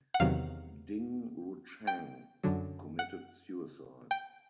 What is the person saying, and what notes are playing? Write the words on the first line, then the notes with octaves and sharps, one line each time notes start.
Ding Ruchang committed suicide.
F#5
E2 C3 D#3 F#3 F5
G5
F#2 D3 F#3
F#5
G5